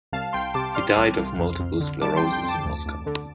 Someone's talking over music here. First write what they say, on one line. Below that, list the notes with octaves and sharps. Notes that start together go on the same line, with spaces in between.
He died of multiple sclerosis in Moscow.
C2 F5 A5
C2 G5 C6
C3 A5 D6
G3 C6 F6
C2
C2
F2
F2
D3
G3 A5 D6
G5 C6
F2
G5 C6
F2
A5 D6
D2
D2
D3